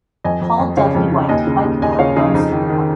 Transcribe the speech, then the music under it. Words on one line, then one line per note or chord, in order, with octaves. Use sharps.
The Paul Dudley White Bike Path runs through the park.
F2 D#5 G#5
F2
F2
C#3 C#5 F5
F2
C#3
D#2 D#5 G#5
C#3
D#2
D#2 D#5 G#5
D#5
C#3 C#5 F5
C#3 D#4 G#4
F2 D#4
D#3
D#3